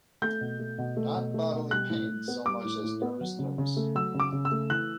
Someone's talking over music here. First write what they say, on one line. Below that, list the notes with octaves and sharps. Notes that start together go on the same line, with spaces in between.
Not bodily pain so much as nervous, nervous!
A3 G6
B2
A3
B2
A3
B2
A3
B2
G3 F#6
A2
A2
B3
G3 D6
A2
A2
B3
F#3
C#3
C#3
A3
F#3 E6
C#3
D6
C#3
E6
A3
E3 F#6